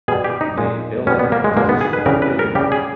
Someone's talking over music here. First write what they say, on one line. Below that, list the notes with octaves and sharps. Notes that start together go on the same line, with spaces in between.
The main building has a small waiting room.
B2 G3 G#4
G4
D#4
A#2 G#3
B2 G3 C#4
B3
A#3
G#3
B2 G#3 A#3
B3
G#4
B4
C#3 E3 G3 A#4
B4
A#4
C#3 G3 G4
G#4